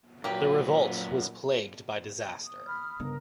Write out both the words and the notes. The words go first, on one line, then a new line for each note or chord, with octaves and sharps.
The revolt was plagued by disaster.
F#2 A#2 F#3 A#3 G4 B4
D#6
B5 F6
G1 C#3 A#4